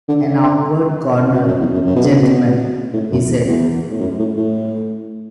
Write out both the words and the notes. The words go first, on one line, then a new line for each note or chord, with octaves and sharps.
"An awkward corner, gentlemen," he said.
D3
D3
B2
F#2
E2
F#2
F#2
B2
D3
B2
A2
F#2
E2
E2
A2
F#2
A2
A2